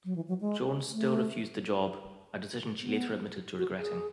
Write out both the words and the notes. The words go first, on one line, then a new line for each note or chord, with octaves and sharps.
Jones still refused the job, a decision she later admitted to regretting.
F#3
E3
F#3
G#3
A3
B3
F#4
G#4